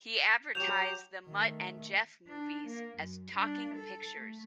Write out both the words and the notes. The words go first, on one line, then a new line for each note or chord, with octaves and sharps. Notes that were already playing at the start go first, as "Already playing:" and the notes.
He advertised the "Mutt and Jeff" movies as "talking pictures".
F#3 G4 G6 E7 F7
D#3 A3
D4
A#3
F#2
G3 D4
A4
A3